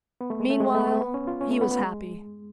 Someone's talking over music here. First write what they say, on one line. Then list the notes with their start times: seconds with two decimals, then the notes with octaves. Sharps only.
Meanwhile he was happy.
0.21 B3
0.30 A3
0.40 G#3
0.50 A3
0.60 G#3
0.74 A3
0.87 A3
1.01 B3
1.14 C#4
1.27 F4
1.41 C#4
1.50 A3
1.61 B3
1.71 B3
1.81 G#3